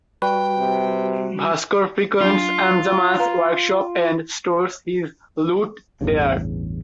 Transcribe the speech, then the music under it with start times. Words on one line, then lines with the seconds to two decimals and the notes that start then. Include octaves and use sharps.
Bhaskar frequents Anjamma’s workshop and stores his loot there.
0.22 G3 F#4 B4 G5
0.58 C3
2.21 F#3 D4 F4
3.20 B4 F5 A#5
6.01 A1 E2 G2 C#3